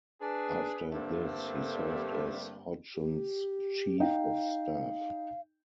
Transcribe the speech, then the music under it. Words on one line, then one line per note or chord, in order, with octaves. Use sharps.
After this, he served as Hodgson's chief of staff.
D4 G#4 B4
G2 D3 G3 A3 A#3 C4
G4
D#4 F5 G5